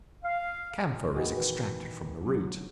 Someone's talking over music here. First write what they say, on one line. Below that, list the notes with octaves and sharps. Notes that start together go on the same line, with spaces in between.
Camphor is extracted from the root.
F5
A#2 D#3 E3 F#4 G#4 D#5
F#4 B4
D3 F#3